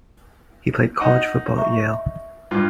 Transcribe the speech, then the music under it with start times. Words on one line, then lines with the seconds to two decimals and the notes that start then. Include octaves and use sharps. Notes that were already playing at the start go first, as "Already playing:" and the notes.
He played college football at Yale.
1.00 D#4 F#5
1.57 E5 A#5 C#6
2.51 G2 F4